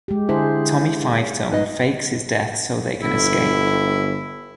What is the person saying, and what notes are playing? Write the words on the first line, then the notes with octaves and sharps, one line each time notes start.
Tommy Five-Tone fakes his death so they can escape.
G#3 G4
D3 E4 G#4 C5
D#4 B4 D#5
G1 E4